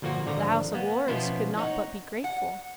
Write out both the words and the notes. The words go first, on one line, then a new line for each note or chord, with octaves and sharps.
The House of Lords could not but be grateful.
G1 A#2 F3 A#3 F#4
G#1 D3 F3 A#5
A#3 B3
B2 F3 B3 C#4 E4 C5
D#4 C#5 F#5
F#5